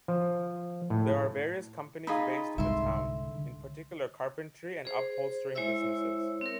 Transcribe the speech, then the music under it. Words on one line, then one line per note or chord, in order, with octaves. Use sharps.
There are various companies based in the town, in particular carpentry and upholstering businesses.
F3
A2
D#4 F4 G#4 D#5 B5
C2 G#2 D3 E5 C6
G#4 C5
G#3 E4 C5 C#5 E5 E6
C4 A#4